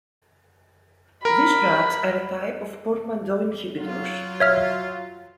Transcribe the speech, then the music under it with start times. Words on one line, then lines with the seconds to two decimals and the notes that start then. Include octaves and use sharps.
These drugs are a type of "portmanteau inhibitors".
1.25 A#4 B5
3.79 F#3 F4
4.40 C#5 E5 F6